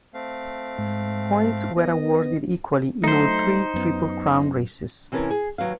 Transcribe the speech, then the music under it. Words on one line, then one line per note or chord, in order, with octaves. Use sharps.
Points were awarded equally in all three Triple Crown races.
A3 C4 F5
G#2
B3 D#5
F#3 A3 D#4 C5
F#2 B3
C3 E3 C#4 A#4 A5
G#4
D#2 F#3 B4 F5